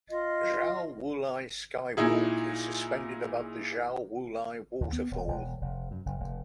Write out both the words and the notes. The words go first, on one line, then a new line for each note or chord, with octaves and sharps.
Xiao Wulai Skywalk is suspended above the Xiao Wulai Waterfall.
F4 D#5
A#2 D#4 E4 G#4
D#2
B3
D#1
E1
F1
F#2
F#1
F1